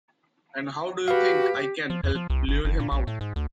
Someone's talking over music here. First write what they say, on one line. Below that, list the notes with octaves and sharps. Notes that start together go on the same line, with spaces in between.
And how do you think I can help lure him out?
F#4 G4 B4 F5
F3
E2
F3
C2
G1
F#1
A#2
A#1
A2
G#2
D2